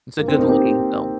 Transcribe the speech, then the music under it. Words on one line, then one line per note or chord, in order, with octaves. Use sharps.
It's a good-looking film.
A#3
C4
A#3 D#4
D#4 G4